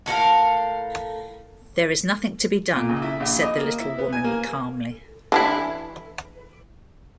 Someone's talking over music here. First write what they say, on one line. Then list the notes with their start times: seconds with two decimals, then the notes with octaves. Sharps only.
"There is nothing to be done," said the little woman, calmly.
0.06 A2 A4 A#4 F5
2.75 A#2
2.89 C#2
3.02 E4
3.20 A#1
3.43 D#5
3.57 A#3
3.79 E4
3.98 B3
4.13 G#5
4.24 A#3
5.32 E3 D4 E4